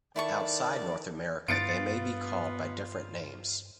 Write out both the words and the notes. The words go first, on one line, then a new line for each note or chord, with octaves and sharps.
Outside North America they may be called by different names.
D#3 E4 A4 D5 C#6
G2 B3 F4 A6 C#7 D7